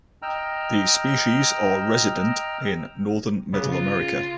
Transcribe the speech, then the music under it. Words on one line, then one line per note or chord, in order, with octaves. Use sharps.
These species are resident in northern Middle America.
D#5 G5 A#5 E6 F6
C#3 B3
F4